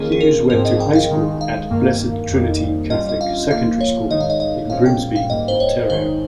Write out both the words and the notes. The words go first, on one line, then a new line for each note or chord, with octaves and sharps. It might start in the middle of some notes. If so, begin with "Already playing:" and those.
Hughes went to high school at Blessed Trinity Catholic Secondary School in Grimsby, Ontario.
Already playing: D#3 A#3 C#4 F4 G#4
G#4
A#4
G#2 F3 C4 A#4
D#5
G5
F5
D#3 G#3 D#4
F5
G2 D#3 A#3
F2 D#3 G3 A#3 D#4
G2 G3 C#4 F4 D#5
D#5
F5
G2 F3 A#3 F4 F5
C#5
G#2 D#3 G#3 D#4 D#5
F5
D#5
D#5
A#2 F3 G#3 C#4 F5
G5
F5
G#2 G3 A#3 D#5
C5
C#5
G#2 D#3 G#3 D#4 C5